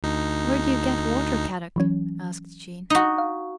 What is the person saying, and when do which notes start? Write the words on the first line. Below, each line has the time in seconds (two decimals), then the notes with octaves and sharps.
"Where do you get water, Kadok?" asked Jean.
0.03 D2 D#4
1.76 E3 F#3 C#4
2.90 D#4 F#4
3.18 F5